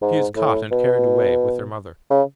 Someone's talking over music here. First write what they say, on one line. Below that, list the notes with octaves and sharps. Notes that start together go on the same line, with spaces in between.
"She is caught and carried away--with her mother."
G#2
A2
B2
C#3